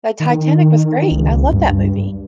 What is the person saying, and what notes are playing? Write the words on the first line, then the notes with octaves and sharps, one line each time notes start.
The Titanic was great, I love that movie.
D#3
C#2
G2